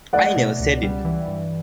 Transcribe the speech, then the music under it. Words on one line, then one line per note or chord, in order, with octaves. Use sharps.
I never said it.
A3 D5 F#5
B2
C#2
G3
E3
G2